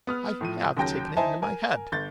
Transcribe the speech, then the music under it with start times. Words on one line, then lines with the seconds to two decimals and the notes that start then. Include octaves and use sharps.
I HAVE taken it into my head.'
0.07 B3 D#6 F6
0.41 A2 F3 D#7
0.77 D#2 C#3 F#3 G5 G6 A#6
1.17 D#4 E4 C5 G#5 A5
1.42 A#4 G#5
1.92 G1 G6 A6